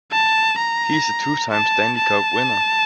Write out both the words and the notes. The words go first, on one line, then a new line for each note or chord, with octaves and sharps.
He is a two time Stanley cup winner.
A5
A#5
A5
A5